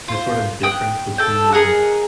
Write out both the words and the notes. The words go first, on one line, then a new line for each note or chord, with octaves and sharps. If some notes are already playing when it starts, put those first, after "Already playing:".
the sort of difference between
F4 C5
G5 D#6 F#6
A4 G5
G#4 A#4 D#5 F#5